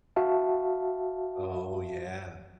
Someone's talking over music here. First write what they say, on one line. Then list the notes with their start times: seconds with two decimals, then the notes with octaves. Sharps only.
Oh, yeah.
0.16 F#4 E5 F5 A5